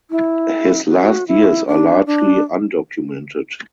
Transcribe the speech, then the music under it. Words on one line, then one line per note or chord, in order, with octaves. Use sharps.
His last years are largely undocumented.
E4
F#4
E4
D4
D4